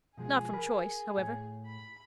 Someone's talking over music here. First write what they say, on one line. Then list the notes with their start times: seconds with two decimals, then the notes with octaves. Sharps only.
Not from choice, however.
0.17 B2 F3 G#3 G#4
0.53 A#4 B5
1.17 A2 C#5 G#5
1.66 B5